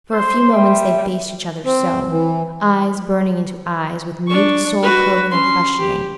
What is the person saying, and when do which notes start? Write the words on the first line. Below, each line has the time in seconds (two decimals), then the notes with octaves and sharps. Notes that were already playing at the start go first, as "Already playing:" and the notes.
For a few moments they faced each other so, eyes burning into eyes with mute soul-probing and questioning.
0.12 C5 C6
0.53 G3 E5
1.65 C4
2.10 E3
4.27 D4 C#6
4.82 F#4 B4
5.30 C#4 C6
5.78 G4